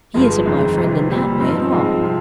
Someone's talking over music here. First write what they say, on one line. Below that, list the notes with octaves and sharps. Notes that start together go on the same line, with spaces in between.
"He isn't my friend in that way at all."
G1 G2 F3 G#3
F2 D#3 G#3
G1 F2 C3
A#2 G3 C4
G2 F3 C4 D#4
G#2 F3 G#3 C4
C3 F3